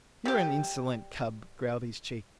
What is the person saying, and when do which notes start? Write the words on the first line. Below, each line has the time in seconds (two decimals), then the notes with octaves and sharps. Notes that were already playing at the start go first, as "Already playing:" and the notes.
"You are an insolent cub," growled his Chief.
0.26 G3 G4